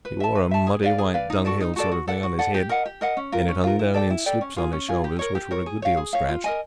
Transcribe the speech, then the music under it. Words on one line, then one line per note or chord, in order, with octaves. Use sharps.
He wore a muddy-white dunghill sort of thing on his head, and it hung down in slips on his shoulders, which were a good deal scratched.
B4
E5 A5
B4
E5 A5
G#4
B4 D5 F5
G#4
B4 D5 F5
D#4
F#4 A4 D5
D#4
F#4 A4 D5
F#4
A4 D5 F#5
F#4
A4 D5 F#5
G4
A#4 D#5 F#5
G4
A#4 D#5 F#5
C#4
F4 A#4
C#4
F4 A#4
E4
A4 D5 G5
E4
A4 D5 G5
C#4
F4 G#4
C#4
F4 G#4
G4
A#4 C#5
G4
A#4 C#5
G#4
C#5 F5
G#4
C#5 F5
F4
A#4 D#5 G#5